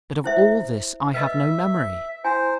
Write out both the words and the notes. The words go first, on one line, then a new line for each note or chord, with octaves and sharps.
But of all this I have no memory.
E4 C5 E5
B4 D#5 E5
E4 C5 G#5